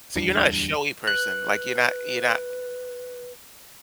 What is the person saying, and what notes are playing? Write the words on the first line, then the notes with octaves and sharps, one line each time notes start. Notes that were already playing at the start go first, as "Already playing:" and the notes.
So, you're not a showy person? Like, you're not you're not
D1 E2 G3 D4
B4 F#6